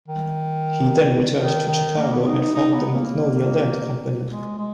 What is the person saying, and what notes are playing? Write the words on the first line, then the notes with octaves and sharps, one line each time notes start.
He then returned to Chicago and formed the Magnolia Land Company.
D#3
D#3
D#3
A#3
B3
D#4
D#4
D#4
B3
A#3
G#3
G#3